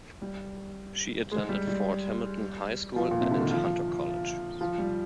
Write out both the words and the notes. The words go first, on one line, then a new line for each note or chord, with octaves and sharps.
She attended Fort Hamilton High School and Hunter College.
G3
G#3
G3
G3
F3
A#2
C3
D3
D#3
F3
F3
G3